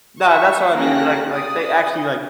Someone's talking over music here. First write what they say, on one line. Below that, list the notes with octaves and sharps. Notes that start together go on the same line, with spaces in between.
No, that's what I mean, like like, they actually, like,
E5 C#6
A#3 C#4 G4 A4 F#6 A#6
D5 D#6